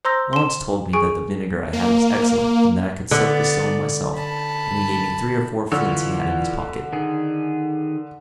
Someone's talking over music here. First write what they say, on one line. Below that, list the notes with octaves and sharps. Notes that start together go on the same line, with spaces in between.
Lawrence told me that the vinegar I had was excellent, and that I could soak the stone myself, and he gave me three or four flints he had in his pocket.
C5 A#5 C6 E6 G6 A#6
C6 E7
G#4 G#5 C#6 D7
A#3
D3 B3 D5
A5 B5
D3 E3 F4 C#5
D#3 G#4